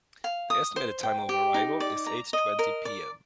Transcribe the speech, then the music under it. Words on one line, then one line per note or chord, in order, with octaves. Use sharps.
The estimated time of arrival is eight twenty pm.
F5
D#6
C5
G5
G4
D#4
D5
A#5
D#5
A#4
D5